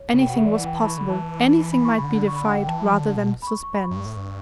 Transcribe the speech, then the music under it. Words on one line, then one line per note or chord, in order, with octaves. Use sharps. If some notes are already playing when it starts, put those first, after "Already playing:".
Anything was possible, anything might be defied rather than suspense.
Already playing: C#5
C#3
G5
B2 F#5
C#3 E5
E3 D5
F#5
G5
A5
B5
C#6
D3 B5
E3 A5
B5
C#6
C#3 B5
D3
C#6
B5
F#5
G5
G5
E3 A5
F#3
E3
D3
B2
B5
C#6
C#6
B5
C#6
F#2
G2 C#6
A2
G2